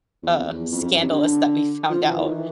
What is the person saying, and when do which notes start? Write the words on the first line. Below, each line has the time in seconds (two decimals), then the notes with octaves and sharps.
uh, scandalous that we found out.
0.23 E2
0.32 F2
0.52 E2
0.72 F2
0.82 F2
0.91 F#2
1.02 C3
1.11 D3
1.90 F3
2.03 E3
2.16 D#3
2.29 E3